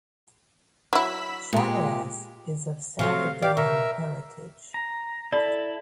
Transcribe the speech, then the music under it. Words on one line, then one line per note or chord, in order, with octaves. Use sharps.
Chavez is of Salvadoran heritage.
F#3 E4 B5 E6 B6
A#2 G#3 G4
C3 F#3 A3 F5
G4 D5 F5
B2 A#4 E5
A#5
E4 A4 D5 B5